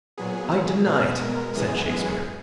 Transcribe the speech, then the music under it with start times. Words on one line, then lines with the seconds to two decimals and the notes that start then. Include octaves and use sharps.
"I deny it," said Shakespeare.
0.18 A#2 F#3 B3 G#4
0.86 B2 G#3 B3 G#4
1.21 A#4
1.55 F#2 E3 G#3 B3 G#4
1.89 G#4